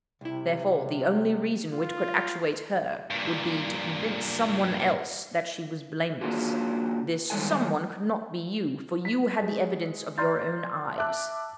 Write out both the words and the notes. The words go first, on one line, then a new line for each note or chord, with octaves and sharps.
Therefore the only reason which could actuate her would be to convince someone else that she was blameless. This 'someone' could not be you, for you had the evidence of your own eyes.
C2 C3 E4
F4
G2 A#2
A#3 D4 F4 F#4 G#4
D#3 G3 G#3 A4 G#5
B6
G#3
D5 A#5 C6 F6 G6 A6
E5 A5 D6 F#6